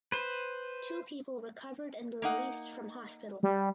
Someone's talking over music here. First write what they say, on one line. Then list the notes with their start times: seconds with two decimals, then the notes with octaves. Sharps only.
Two people recovered and were released from hospital.
0.12 B4 C5
2.22 A#3 D#4 F#5
3.43 G3